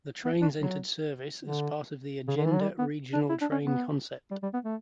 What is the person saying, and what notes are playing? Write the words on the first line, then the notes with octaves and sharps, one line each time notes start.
The trains entered service as part of the Agenda regional train concept.
B3
D4
F#3
D3
C#3
D3
E3
F#3
G3
B3
D4
E4
D4
C#4
B3
G3
G3
B3
A3